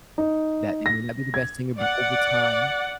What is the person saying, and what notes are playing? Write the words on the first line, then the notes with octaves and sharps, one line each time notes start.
that they may not be the best singer, but over time,
D#4
A#6
G#6
D5 F#5